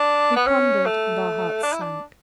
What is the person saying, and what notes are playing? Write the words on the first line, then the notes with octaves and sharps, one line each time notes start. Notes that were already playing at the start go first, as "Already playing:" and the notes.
We pondered, and our hearts sank.
Already playing: D4
B3
C#4
A3
D4
E4
D4